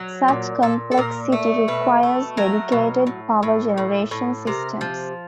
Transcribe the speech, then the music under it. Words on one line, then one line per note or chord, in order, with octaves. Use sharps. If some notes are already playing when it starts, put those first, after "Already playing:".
Such complexity requires dedicated power-generation systems.
Already playing: F#3
A#2
A#2 A4
A4
A#2 A#4
A3
B2 B4
A3
F#3 A#4
B2
A2
A2
A2
A2
C3 A#4
F3